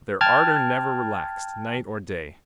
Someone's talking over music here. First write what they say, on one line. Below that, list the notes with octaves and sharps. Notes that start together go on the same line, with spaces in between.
But their ardor never relaxed, night or day.
G5 A5 F6 G#6 A6